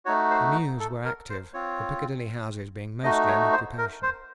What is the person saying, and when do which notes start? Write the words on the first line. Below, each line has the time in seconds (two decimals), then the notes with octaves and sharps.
The mews were active, the Piccadilly houses being mostly in occupation.
0.05 A3 D#4 F#4 C#5
0.31 C5
0.80 A4
1.05 A#4
1.30 C5
1.54 C4 F4 C#5
3.03 A3 D#4 F#4 D#5
3.28 C#5
3.53 C5
3.78 A#4
4.03 C5